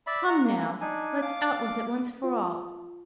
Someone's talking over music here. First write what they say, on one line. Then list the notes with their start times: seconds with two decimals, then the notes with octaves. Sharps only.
Come now, let's out with it once for all.
0.07 D5 E5 B5
0.29 F#5 A#5
0.44 A#3
0.81 D4 D#4 G#5
1.22 F5 D6
2.23 F4